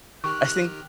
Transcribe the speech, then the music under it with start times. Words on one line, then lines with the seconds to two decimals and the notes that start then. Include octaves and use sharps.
I think
0.24 D#3 G4 C#6 F6 F#6